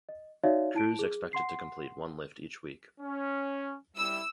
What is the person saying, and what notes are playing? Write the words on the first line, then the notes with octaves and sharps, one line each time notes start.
Crews expected to complete one lift each week.
D#5
D#4 F#4 C#5 D5 E5 F5
E4 A5 D7
G#4
F#5 C6 C7
C#4
G3 E4 E6